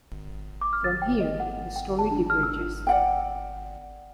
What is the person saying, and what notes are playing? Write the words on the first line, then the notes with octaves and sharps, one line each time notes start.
From here, the story diverges.
D6
F6
A6
G5
D#5
F#5
G5
A5
D4
F6
E6
F4
D5 F#5 G5